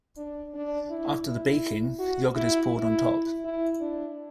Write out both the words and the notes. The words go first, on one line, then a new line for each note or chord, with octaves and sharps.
After the baking yogurt is poured on top.
D4
D4
E4
E4
F#4
E4
E4
E4
D4